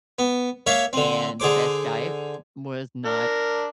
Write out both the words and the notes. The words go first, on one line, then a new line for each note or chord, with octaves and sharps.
and the best diet was not
B3
A#3 C#5 E5 F5
D3 C4
D3 G#4 C5 D6
D4 A#4